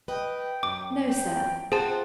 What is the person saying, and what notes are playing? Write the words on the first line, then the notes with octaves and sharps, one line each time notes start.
"No, sir."
B4 D#5 G5
F#2 D6
G5
C4 F4 G#4 C5 F#5 A5